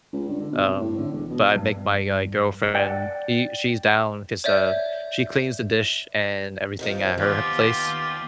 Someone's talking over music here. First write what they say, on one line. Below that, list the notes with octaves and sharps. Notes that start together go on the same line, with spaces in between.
um but I make my, uh, girlfriend, he she's down 'cause, uh, she cleans the dish and everything at her place.
C#2
G2
D3
B2
C3
A2
D3
E1
B2
G2
D5 F#5 G5
C#5 D5 E5 G6
C3 D#3 F3
D#2 B3 F4 G4